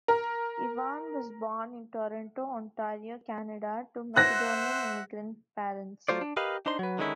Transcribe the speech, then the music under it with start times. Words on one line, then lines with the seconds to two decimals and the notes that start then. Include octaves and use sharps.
Ivan was born in Toronto, Ontario, Canada, to Macedonian immigrant parents.
0.08 A#4
4.16 C5 E5 F#5 F#6 A#6
6.08 F#3 A3 F4 C5 D5
6.21 D4
6.37 G4 A#4 B4 D#5 F5
6.66 D4 D#4 C5 C6
6.79 F#3 B4
6.98 D3 D#3 G#3 C#4 D#4 E4